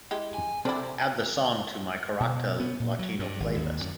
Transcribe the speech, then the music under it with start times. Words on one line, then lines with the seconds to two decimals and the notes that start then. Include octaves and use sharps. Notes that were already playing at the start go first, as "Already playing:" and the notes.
Add the song to my carácter latino playlist.
0.11 G#3 E4 G4
0.34 G#5
0.65 C3 C4 D4 E4 A4 D5
2.20 B2
2.60 B3
2.80 A#2
2.99 F#3
3.19 G2
3.40 G#1
3.56 D#2
3.80 F#2